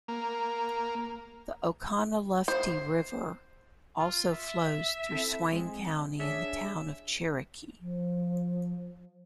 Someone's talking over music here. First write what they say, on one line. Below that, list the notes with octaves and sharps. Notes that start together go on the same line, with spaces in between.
The Oconaluftee River also flows through Swain County in the town of Cherokee.
A#3
C5
F4
E5
C4 E4 A4
G#3 C4
D4 G#4 C#5 E5
F3